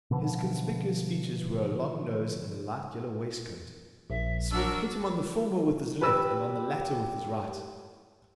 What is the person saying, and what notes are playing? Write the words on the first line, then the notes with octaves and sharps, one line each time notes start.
His conspicuous features were a long nose and a light yellow waistcoat. Psmith hit him on the former with his left and on the latter with his right.
B2 D3 E3 F3
A#1 E5
D4 F#4 A#4 E6
G4 B4 B5 E6